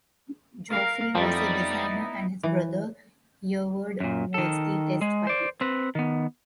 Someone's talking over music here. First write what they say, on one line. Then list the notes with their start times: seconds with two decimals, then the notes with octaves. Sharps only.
Geoffrey was the designer and his brother Hereward was the test pilot.
0.70 A#4 F5
1.15 F2 G3 B3 D#4 E4 D5
2.43 E3
4.00 F#2 A#2
4.34 D#3 A4
5.01 G#3
5.27 C5 D5
5.61 C4 B4
5.95 D#3 B3